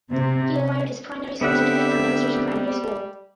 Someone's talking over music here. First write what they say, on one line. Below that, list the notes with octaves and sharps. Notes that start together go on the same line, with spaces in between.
He acquired his primary school certificate from Demonstration primary school.
C3
C#4
D3 G3 B3 C4 E5 F#5